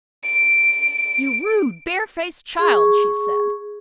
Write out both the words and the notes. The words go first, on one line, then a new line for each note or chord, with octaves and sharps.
'You rude, barefaced child!' she said.
D7
G#4 C#6